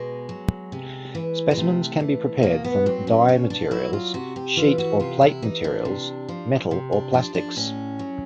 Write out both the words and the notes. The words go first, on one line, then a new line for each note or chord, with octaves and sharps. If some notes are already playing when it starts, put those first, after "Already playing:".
Specimens can be prepared from die materials, sheet or plate materials, metals or plastics.
Already playing: B2 G#3
F#3
C3
E3
G#3
C3 A3
E3
B2 A#3
B3
F#3 C4
C#4
B2 C#4
D4
F#3 E4
F4
C3 F#4
G4
E3 F4
F#4
C3 F4
E4
E3 D#4
D4
C3
F3
C3
D4
F3 D4
D4
A2 C#4
F#3